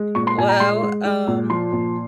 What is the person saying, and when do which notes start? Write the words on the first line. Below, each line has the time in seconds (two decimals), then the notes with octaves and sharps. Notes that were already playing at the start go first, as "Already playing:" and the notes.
Well, um
Already playing: G#3
0.15 A#2 C#6
0.27 C6
0.37 A#2 G#5
0.49 A#5
0.60 G#3 C6
0.82 G#3
1.05 G#3
1.28 A#2
1.50 F3 C6
1.73 A#2